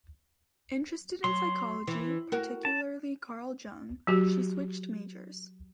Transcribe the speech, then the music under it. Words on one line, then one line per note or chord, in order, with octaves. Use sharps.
Interested in psychology, particularly Carl Jung, she switched majors.
F#3 C6
E3
F#4 A#4
A5
F#3 F#4 G4